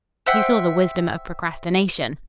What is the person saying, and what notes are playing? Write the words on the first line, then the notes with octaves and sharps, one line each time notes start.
He saw the wisdom of procrastination.
C5 E5 F#5 G5